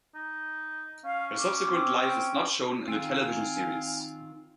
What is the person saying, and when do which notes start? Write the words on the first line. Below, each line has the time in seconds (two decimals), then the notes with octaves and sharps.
Her subsequent life is not shown in the television series.
0.15 D#4
1.05 C#4 F5
1.38 D6
1.71 C4
2.01 G5
2.88 D#3 C4 F4 F5 G#5